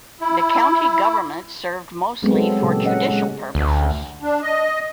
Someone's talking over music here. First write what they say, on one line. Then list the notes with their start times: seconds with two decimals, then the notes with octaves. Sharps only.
The county government served mostly for judicial purposes.
0.21 E4
2.22 F#3 G#3 A3 B3 C4
2.35 A4
2.61 A#2 C#3 F#3 G4 A4
2.85 C#4 D#5 F#5
3.10 G#3 F#5
3.55 D2
4.22 D4
4.42 D#5